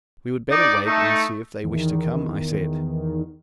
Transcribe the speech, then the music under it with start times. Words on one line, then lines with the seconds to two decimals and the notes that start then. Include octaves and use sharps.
"We would better wait and see if they wish to come," I said.
0.51 D#4 D5
0.86 A3 D#4
1.63 E2 D#3